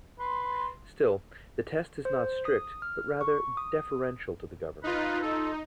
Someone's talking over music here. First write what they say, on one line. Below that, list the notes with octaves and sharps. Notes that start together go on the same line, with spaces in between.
Still, the test is not strict but rather deferential to the government.
B4 C6
C5
D#6
F6
C#6
D#6
D#4 F4 B4
D#4 F4 A4